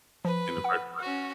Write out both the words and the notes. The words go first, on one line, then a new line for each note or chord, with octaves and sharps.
In the first
F3 B4
F#5
C#4 F#4